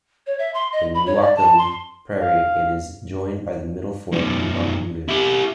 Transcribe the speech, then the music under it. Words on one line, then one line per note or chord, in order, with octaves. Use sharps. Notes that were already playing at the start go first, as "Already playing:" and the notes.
In Newaukum Prairie it is joined by the Middle Fork Newaukum River.
C#5
E5
C6
D#5
B5
C#5
D5
A5
C6
F5
F#2 D#3
E4 G4